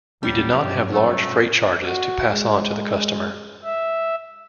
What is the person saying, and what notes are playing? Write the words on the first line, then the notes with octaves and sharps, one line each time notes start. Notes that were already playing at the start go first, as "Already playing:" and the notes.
We did not have large freight charges to pass on to the customer.
D#2 F#3 G3 C#4
G2 B2 F#3 G4
A3
F#4
G#3
E5